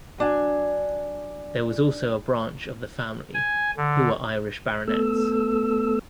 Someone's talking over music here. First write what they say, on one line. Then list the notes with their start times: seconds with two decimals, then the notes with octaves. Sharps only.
There was also a branch of the family who were Irish baronets.
0.18 F#3 D4 G#5
3.34 G#5
3.77 D3
4.88 A3 B3 A4 E6